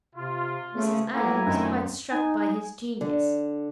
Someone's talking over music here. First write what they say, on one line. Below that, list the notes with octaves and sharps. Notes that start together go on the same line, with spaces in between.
Mrs. Allen was quite struck by his genius.
C3 F4
C#3 A3
A2 A#3 B3 E4 G#5 A#5
F#2 A#2 D#3 A3 C4
D#4 G#5
D3